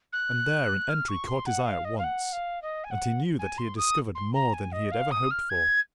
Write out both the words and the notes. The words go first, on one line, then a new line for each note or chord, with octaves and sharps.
And there an entry caught his eye at once--and he knew that he had discovered more than he had ever hoped for.
F#6
F6
C#6
C6
F#5
F5
D#5
F5
F#5
F5
D#5
G#5
F#5
G#5
C6
D#6
C6
A#5
G#5
D#5
F5
D#6
F6
G#6